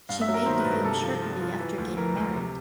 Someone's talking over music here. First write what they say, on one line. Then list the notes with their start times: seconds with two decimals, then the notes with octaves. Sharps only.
She made the film shortly after getting married.
0.09 G2 F5
0.21 E5
0.28 F#3
0.34 A#4
0.46 D#3 C5
0.60 B4
0.65 G2
0.71 A#4
0.84 C3 A4
1.03 F3
1.22 F3
1.41 F3
1.59 E3
1.78 D2
1.97 E3 A#4
2.16 D2
2.35 C3